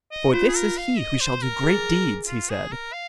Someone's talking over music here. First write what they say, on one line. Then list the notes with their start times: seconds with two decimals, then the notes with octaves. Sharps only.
'For this is he who shall do great deeds,' he said.
0.12 D#5
0.34 F4 C5
0.48 G#4
0.55 A#4
0.78 F5
0.99 D#5
1.21 C5
1.42 A#4
1.64 G#4
2.28 F4
2.50 G#4
2.72 A#4
2.93 F5